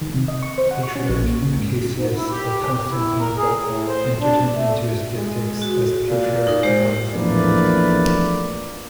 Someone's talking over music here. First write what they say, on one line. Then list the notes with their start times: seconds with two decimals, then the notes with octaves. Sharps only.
Patriarch Acacius of Constantinople entered him into his diptychs as Patriarch of Alexandria.
0.01 D#3
0.14 C3
0.28 D#5
0.43 C#6
0.58 C5
0.71 F#5
0.83 C#6
0.96 C#4
1.10 A#1
1.23 A#3
1.43 C#3
1.57 G#2
1.93 G#2
2.15 E4
2.29 G4
2.90 E4
3.19 A#4
3.37 G#4
3.61 A2
3.88 C5
4.19 D4
4.54 A3
5.17 G#3
5.62 F#4
6.09 A#2
6.47 D#4 A#4
6.63 G#3 G4 C5
7.15 A#1 E2 A3 A#3 B4 D5